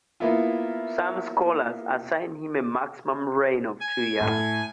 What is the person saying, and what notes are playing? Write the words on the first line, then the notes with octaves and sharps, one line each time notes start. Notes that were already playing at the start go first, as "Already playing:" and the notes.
Some scholars assign him a maximum reign of two years.
A#3 B3 E4 F4
G#5
A2 A4